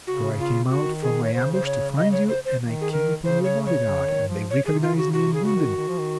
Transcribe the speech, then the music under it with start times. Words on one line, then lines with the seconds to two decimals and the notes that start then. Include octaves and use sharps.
So I came out from my ambush to find you, and I came upon your bodyguard, and they recognized me, and wounded me.
0.07 C#3 F#4
0.39 F4
0.70 D#3 F#4
1.02 G#4
1.23 C#5
1.33 C#3 C5
1.53 C5
1.66 C#5
1.97 D#5
2.12 C#5
2.29 C5
2.45 C5
2.60 D#3
2.81 G#4
2.92 A#4
3.24 C#3 C5
3.44 C#5
3.66 C#5
3.87 C#3
4.08 D#3
4.29 F3
4.50 C#5
4.66 G#4
4.71 C3
4.82 F4
4.87 D#3
4.92 C#3
4.98 F#4
5.13 C3 F#4
5.34 C#3 G#4
5.45 F#4
5.55 D#3
5.77 D#3
5.88 F3
5.99 D#3